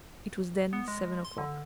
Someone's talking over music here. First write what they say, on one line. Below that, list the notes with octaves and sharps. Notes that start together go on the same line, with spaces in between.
It was then seven o'clock.
B3
G#3
C6
D3